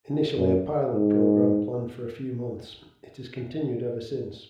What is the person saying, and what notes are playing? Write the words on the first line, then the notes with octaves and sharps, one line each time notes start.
Initially a pilot program planned for a few months, it has continued ever since.
F#2
G#2